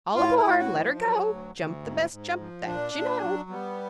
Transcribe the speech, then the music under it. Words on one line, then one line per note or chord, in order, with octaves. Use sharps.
"All aboard! let 'er go! Jump the best jump that you know."
A2 F4
E4
A2
F#4
F3
F#3
D2
D2
G#2
G#2
F3
A#2 D4
A#2
F#3
G3 B3